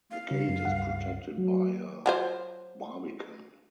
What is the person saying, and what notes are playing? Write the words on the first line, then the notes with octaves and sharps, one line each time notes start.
The gate is protected by a barbican.
F5
C#3
F#2
C#2 G2 F#5
F#3
F#3 F4 C5